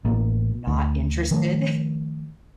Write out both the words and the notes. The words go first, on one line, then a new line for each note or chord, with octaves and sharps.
not interested.
A1 A#3
D2
D#3 F3 A3